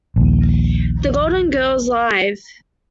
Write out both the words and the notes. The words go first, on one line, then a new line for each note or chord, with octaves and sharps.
The Golden Girls: Live!
A#1 D#2